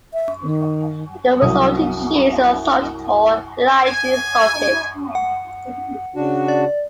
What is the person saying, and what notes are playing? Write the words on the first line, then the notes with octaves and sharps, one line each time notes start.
The resulting cheese is unsalted or lightly salted.
E5
D#3
C2 F#3 D#6
G#5
F#5
C#3 D4 F#4
D5